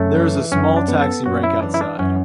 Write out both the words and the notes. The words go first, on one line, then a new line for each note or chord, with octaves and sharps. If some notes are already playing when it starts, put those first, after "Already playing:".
There is a small taxi rank outside.
Already playing: F#2 A3
E3
F#2 C#4
D4
B3
A4
F#2 F#4
E4
E3 D4
E4
D4
F#2 C#4